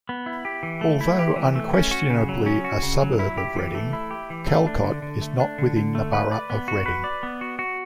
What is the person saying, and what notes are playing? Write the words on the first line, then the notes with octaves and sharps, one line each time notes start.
Although unquestionably a suburb of Reading, Calcot is not within the Borough of Reading.
B3
E4
G4
E3
A3
E4
G4
E3
A3
C#4
F#4
C#3
F#3
C#4
F#4
C#3
F#3
E4
G4
E3
A3
E4
G4
E3
A3
D4
D3
D3
A3
D4
D3
D3
A3
B4
D5
B3
F#4
B4
D5
B3
F#4
F#4